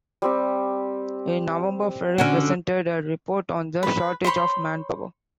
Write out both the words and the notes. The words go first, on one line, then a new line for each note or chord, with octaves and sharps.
In November Ferry presented a report on the shortage of manpower.
G3 C4 G4
D3 C#4 F#4
B4
C5 C#5 B5 C6